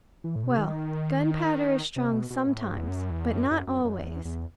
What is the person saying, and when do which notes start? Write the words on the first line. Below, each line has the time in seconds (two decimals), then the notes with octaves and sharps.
Well, gunpowder is strong sometimes: but not always.
0.24 E3
0.36 A2
0.44 B2
0.51 C3
0.58 D#3
1.96 C3
2.13 B2
2.30 B2
2.47 A2
2.65 G2
2.78 E2
2.88 F#2
3.11 E2
3.34 F#2
3.51 F#2
3.68 F#2
3.85 F#2
4.01 E2
4.25 E2